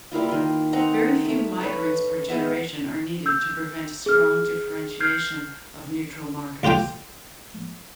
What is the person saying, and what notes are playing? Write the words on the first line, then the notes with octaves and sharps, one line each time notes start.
Very few migrants per generation are needed to prevent strong differentiation of neutral markers.
G3 A#3 E4 F4
D#3 F4
C4 D#4 F#5 A#5
A3
B4 C#5
G#3 B3 E5
E6 G6
G#4 F6
F6 G6 G#6 C7
D2 F4 G4 G5 G#5